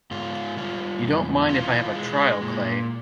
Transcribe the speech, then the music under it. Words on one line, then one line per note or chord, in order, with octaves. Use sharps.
You don't mind if I have a trial, Clay.
G#2 F4
G3 F4
E2
E3 F4
G#3
A#2